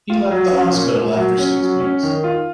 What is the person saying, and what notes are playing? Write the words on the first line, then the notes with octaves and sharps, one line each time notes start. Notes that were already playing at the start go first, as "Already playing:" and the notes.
He left the hospital after six weeks.
F4
F#3
C#4
A#2
A#2
F#3
C#4
F#3
C#4
D#3
F4